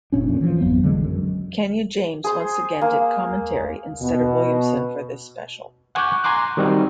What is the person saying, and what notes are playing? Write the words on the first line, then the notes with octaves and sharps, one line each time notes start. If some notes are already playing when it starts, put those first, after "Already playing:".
Kenna James once again did commentary instead of Williamson for this special.
F#1 A#2 C#4 D4
F2 A#2
E3 F3
G#1 F2 F#3 B3
A#1 D3 E3 G#3
F#2
G#4 C5
A#3
B2
F#5 G#5 C#6 D6 F#6 G6
G#5 A#5 C6 D6 F#6
D#3 G3 C4 D#4 F#4